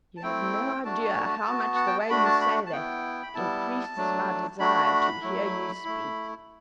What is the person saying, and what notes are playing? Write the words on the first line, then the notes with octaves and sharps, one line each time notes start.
"You have no idea how much the way you say that increases my desire to hear you speak."
A5
A3 C4 E4 G5
A3 D4 F#4 A5
B3 F#4
F#5
G5
A5
A3 D4 F#4 B5
A5
B5
A5
B3 E4 G5
B5
G3 B3 E4 A5
F#3 A3 D4
A3 D4 F#4 B5
F#3 A3 E4
A3 E4